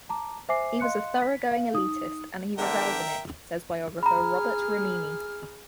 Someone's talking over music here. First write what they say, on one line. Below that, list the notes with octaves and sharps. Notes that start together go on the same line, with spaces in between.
"He was a thoroughgoing elitist, and he reveled in it," says biographer Robert Remini.
A5 A#5 D6
C5 E5 G#5 D6 C7
D#5 F5 C6 F#6 C#7
B6
F5
D#4 D#6
E2 D3 A#4 E5 G5
G#4 A#5 B5 F6